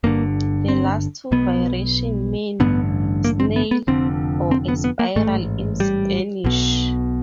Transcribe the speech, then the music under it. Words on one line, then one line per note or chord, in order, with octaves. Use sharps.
The last two variations mean "snail" or a "spiral" in Spanish.
G1 G2 D3 A#3
C4
B1 B2 B3
A1 G2 D3 B3
A#3
C4
B3
B3
F1 F2 D3 C4
C4
B3
B3
A#3
A1 G#2 A3
G3
B1 B2